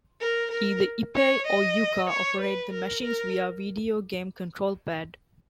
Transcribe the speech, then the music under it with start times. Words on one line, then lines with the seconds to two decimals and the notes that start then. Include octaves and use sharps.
Either Ippei or Yuka operate the machines via videogame control pad.
0.20 A#4
0.51 A#4
1.16 C#5
1.47 D#5
2.09 C#5
2.41 B4
2.73 A#4
3.04 A#4